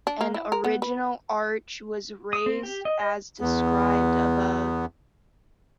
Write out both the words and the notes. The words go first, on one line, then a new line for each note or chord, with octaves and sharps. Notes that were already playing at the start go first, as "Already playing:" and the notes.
An original arch was raised as described above.
D4
A#3
E4
A#4
B3
B4
D#6
C4
G4
D#5
D#5
E2 B3